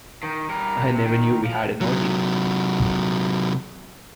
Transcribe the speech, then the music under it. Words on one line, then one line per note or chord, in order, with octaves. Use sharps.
I never knew we had an audience!
D#3
G3 A#4
C3
D#3
F3
C3 F#3